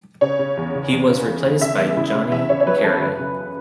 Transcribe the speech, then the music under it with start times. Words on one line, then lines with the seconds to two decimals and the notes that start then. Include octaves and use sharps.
He was replaced by Johnny Carey.
0.21 C#3 C#5
0.39 C#3
0.57 E2
0.75 C#3
0.92 E2
1.09 C#3
1.27 E2
1.45 E2
1.61 C#3 E5
1.79 E2
1.96 C#3 E4
2.14 C#3
2.31 E2 E5
2.49 C#3 C#5
2.60 C#5
2.66 F#3 B4
2.84 E2 A4
3.02 F#2 B4
3.19 C#3